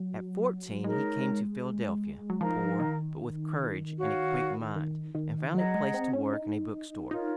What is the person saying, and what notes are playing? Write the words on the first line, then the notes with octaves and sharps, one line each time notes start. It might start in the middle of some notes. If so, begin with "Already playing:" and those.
At fourteen he came to Philadelphia, poor, but with courage and a quick mind, and found a place to work in a bookstore.
Already playing: F#3
G#3 D#4 A#4 C#5
F#3
F3 D#4 A#4 F5 A#5
D#3
F#4 C#5 F5
D#3
D#3
F#3 G#4 D#5 F#5 A#5
G#3
C4
C#4
D#4
D#4 F4 A#4 C#5